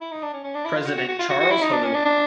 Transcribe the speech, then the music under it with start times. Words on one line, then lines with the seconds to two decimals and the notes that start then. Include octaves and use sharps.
President Charles Helou.
0.01 E4
0.12 D#4
0.22 D4
0.34 C#4
0.44 C#4
0.54 D4
0.65 E4
0.76 F4
0.86 F#4
0.98 F#4
1.08 F#4
1.19 F4
1.30 F#4
1.40 F#4
1.51 E4
1.62 D#4
1.73 D4
1.84 C#4
1.94 D4
2.05 D4